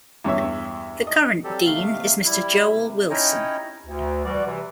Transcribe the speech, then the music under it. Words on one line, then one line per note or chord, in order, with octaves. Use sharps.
The current Dean is Mr Joel Wilson.
E2 G2 C#5 E5
D#5
F#3 G3 C4 G4 A4
D#2 C3 A3 F5
G3 E4
C3
C#4 D#4 E4 C#5 D#5 G5
D2
E3 G3 F#4 D5
C3 E3